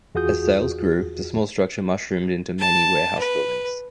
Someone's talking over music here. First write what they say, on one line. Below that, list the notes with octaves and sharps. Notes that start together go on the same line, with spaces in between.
As sales grew, the small structure mushroomed into many warehouse buildings.
E2 F4 F#4 G#4 D#6 G6
A5
B4